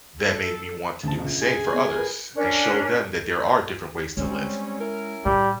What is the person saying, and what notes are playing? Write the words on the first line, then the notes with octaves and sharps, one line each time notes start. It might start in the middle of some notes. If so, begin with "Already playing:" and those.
that made me want to do the same for others and show them that there are different ways to live,
A4
D2 C#3 A5
A#1 C#3
G#4
B3
A#4 B4
C#4 D4 A#4
G3 G#3 C4 C#4
C#4 E4 A#4
A2 G3